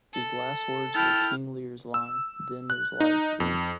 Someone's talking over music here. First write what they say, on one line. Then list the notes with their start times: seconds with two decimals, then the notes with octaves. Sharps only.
His last words were King Lear's line: Then there's life in't.
0.13 A4
0.94 E4 G5 A5 F6
1.94 E6
2.70 F#6
3.00 D#4
3.40 F2